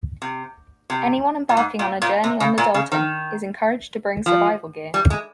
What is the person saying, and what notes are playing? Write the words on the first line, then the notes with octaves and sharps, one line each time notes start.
Anyone embarking on a journey on the Dalton is encouraged to bring survival gear.
C3
C3
A#2
G#2
A#2
A#2
C3
C#3
A#2
C#3
D#3
F3
G3
G#3